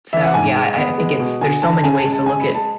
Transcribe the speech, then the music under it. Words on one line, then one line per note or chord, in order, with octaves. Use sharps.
So yeah, I I think it's there's so many ways to look at
E3 E5
F#5
G#2 G#5
G#3
B3
G#3
B2
D3 G#5
D3 A5
C#3 G#5
A5
G#3
A5
C#3 G#5
B5
G#3
A5